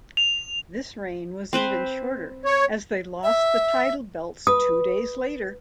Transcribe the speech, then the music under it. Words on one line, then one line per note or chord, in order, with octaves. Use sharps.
This reign was even shorter, as they lost the title belts two days later.
F7
C4 B4 C5
C#5
E5
B4 D#6